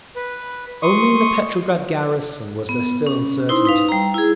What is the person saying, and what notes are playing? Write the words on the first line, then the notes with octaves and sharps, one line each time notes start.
Only in the Petrograd garrison was there still uncertainty.
B4
C6 C#6 D#6
B3
C#4
D#4 E4 C5 C6
D#4 B4 F5
G3 A#5
E4 G#4